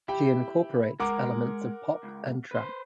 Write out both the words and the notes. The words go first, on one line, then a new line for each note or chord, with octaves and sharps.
She incorporates elements of pop and trap.
E4 G4 G5
G#3 A#4 F#5 D6
C#2
B4 C5